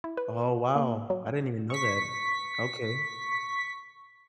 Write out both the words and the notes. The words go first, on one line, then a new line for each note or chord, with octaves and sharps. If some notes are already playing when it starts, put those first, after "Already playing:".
Oh, wow! I didn't even know that. Okay.
E4
B4
A#3
F#3
C#6 B6